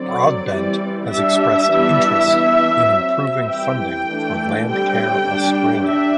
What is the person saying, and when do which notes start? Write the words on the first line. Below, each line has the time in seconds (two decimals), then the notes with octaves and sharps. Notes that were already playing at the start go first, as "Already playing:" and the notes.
Broadbent has expressed interest in improving funding for Landcare Australia.
Already playing: D3 F#3 C4 D5
0.51 E3 G3 C4
1.10 G3 D4 E5
1.69 E3 G3 B3 D4
2.29 E3 B3 D4
2.89 F#3 C4
3.48 E3 G3 C4 G5
4.08 E3 A3 D4
4.67 D3 G3 C4 G5
5.27 G3 D4
5.86 D4 E5